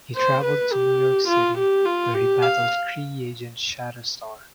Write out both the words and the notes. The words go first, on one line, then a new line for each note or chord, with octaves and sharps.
He traveled to New York City, where he battled Kree agent Shatterstar.
C5
B4
G4
F4
G4
F4
G4
F5